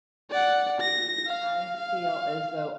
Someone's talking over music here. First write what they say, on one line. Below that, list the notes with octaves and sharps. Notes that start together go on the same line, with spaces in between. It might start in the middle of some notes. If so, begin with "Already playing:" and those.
I feel as though,
D5 F#5
A#6
F5
F5